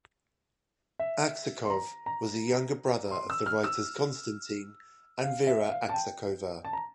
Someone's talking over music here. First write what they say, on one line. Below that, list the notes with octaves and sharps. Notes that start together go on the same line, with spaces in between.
Aksakov was a younger brother of the writers Konstatin and Vera Aksakova.
E5
C6
A#5
A#5
C6
E6
F6
E6
F5
E5
F5
A5
G5
A5
A#5